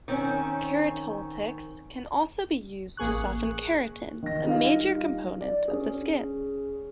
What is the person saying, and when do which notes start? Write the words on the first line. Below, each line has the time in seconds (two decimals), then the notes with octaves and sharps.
Keratolytics can also be used to soften keratin, a major component of the skin.
0.08 D#3 C4 C#4
2.97 A1 A#3 G#4 C#6 F#6
4.23 D#3 A#6
4.45 G3 D#4 F4 G4 F5
5.41 D5
5.68 C#4 G#4